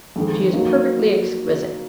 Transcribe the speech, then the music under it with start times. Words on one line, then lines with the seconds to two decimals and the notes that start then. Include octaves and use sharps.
She is perfectly exquisite.
0.16 F2 D#3 G#3
0.53 F#3 A#3 D#4